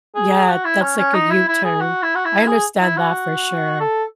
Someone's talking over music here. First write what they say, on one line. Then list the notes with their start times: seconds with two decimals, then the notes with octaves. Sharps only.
yeah, that's, like, a U-turn. I understand that for sure.
0.15 G#4
0.48 F#4
0.64 E4
0.82 C#4
0.97 C#4
1.14 D#4
1.31 E4
1.48 E4
1.64 G#4
1.81 F#4
2.02 E4
2.15 F#4
2.25 E4
2.47 G#4
2.80 E4
2.97 F#4
3.80 A4